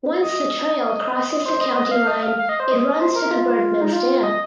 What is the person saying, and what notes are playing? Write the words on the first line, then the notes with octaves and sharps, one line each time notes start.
Once the trail crosses the county line it runs to the Burnt Mills Dam.
D#5
C5
D#5
C5
D#5
F5
D#5
F5
F5
D#5
C5
D#5
C5
A#4
F4
D#4
F4
D#5